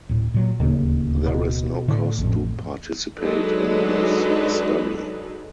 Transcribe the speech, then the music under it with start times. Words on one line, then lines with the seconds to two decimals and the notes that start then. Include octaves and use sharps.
There is no cost to participate in this study.
0.09 D1 A2
0.34 A#2 F#3
0.60 D1 D#2 C#3 A#3
1.26 B2
1.88 A2 D3
2.19 A1 F2
3.20 F#3 G#3 D4 D#4 A4 B4